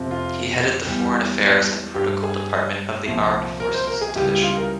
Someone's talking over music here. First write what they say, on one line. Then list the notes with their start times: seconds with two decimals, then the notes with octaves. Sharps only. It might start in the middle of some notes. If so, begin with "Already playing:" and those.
He headed the Foreign Affairs and Protocol department of the Armed Forces Division.
Already playing: F2 C3 F3
0.11 F4
0.85 E2 E3 G3 G4
1.94 G2 G3 G4
2.23 G#4
3.06 C2 A#2 F3
3.60 A#4
3.74 C5
3.87 A#4
4.01 G#4
4.15 C#2 C#3 E3 G3 G4
4.29 G4
4.43 F4
4.57 A#4